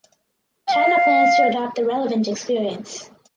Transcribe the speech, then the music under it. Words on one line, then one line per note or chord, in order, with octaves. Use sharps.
China plans to adopt the relevant experience.
G5
F5